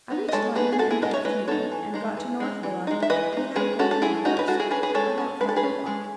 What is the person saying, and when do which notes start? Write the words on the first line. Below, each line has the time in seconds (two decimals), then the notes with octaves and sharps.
I reached London in the afternoon; and got to North Villa--without going home first--about five o'clock.
0.10 B3 D#4
0.28 D#5
0.32 G#3 A4 C#5
0.55 B3 D#4 G#4 B4
0.72 G#4
0.79 G#3 F#4 A4
0.91 E4 G#4
1.02 B3 D#4 B4 D#5
1.13 C#5 E5
1.25 G#3 B4 D#5
1.48 B3 D#4 A4 C#5
1.71 E3
1.94 G#3 D#4
2.17 E3
2.40 G#3 D#4
2.63 E3
2.87 G#3 D#4
3.02 E5
3.10 E3 B4 D#5
3.33 G#3 D#4
3.56 G#3 G#4 B4
3.79 C#4 F#4 A4
3.91 A4
4.02 G#3 E4 G#4
4.25 C#4 D#4 F#4
4.39 B4
4.48 G#3 F#4 A4
4.59 E4 G#4
4.71 C#4 G#4 B4
4.83 G#4 B4
4.94 G#3 A4 C#5
5.18 C#4
5.41 G#3 B4
5.49 A4
5.56 G#4 B4
5.63 C#4
5.86 G#3